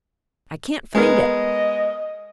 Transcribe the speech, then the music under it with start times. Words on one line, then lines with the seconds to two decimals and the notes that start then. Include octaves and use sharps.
I can't find it.
0.95 G#3 B3 A#4 D#5